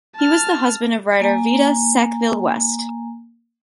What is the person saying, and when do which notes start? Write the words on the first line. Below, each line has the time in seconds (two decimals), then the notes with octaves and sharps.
He was the husband of writer Vita Sackville-West.
0.16 A5 F6
1.20 A#3 G#5 A#5